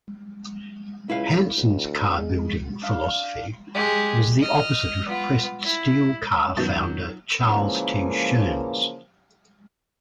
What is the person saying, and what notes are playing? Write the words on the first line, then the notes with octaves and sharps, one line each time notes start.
Hansen's carbuilding philosophy was the opposite of Pressed Steel Car founder Charles T. Schoen's.
C#2 E4 B4 F5
D2
G#3
D4 F5
G#3 G4
D#5 F6
B3 F4
E4
F#2 B2 D#3 F#3 D#4 F4 A5 G6
C#3 E3 F3 A#3